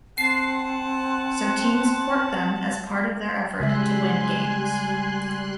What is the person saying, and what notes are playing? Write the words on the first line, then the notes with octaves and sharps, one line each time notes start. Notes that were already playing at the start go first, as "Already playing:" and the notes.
So teams court them as part of their effort to win games.
C4 F#5 A5 C7
C#3 G3 G#3 E5 G#5 C6 F#6